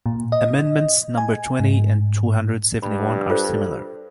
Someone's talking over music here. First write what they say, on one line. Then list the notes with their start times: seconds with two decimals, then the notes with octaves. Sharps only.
Amendments number twenty and two hundred seventy-one are similar.
0.06 A#2
0.32 D#5
1.17 G#5
1.60 G#2
2.83 G2 B5
3.30 F4 A4 C5